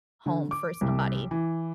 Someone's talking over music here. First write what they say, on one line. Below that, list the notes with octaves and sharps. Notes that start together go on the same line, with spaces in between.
home for somebody.
D3
D6
C2
E3